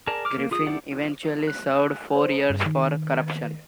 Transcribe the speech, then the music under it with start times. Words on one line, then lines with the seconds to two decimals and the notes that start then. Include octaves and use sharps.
Griffin eventually served four years for corruption.
0.07 G#4 A#4 D5 A5
0.25 D6 F6
0.38 A#3
0.51 F4 G#4 D#6
0.67 D4 E4 G4 D5 F#5
1.47 F#6
2.16 C5
2.50 G2
2.66 D#3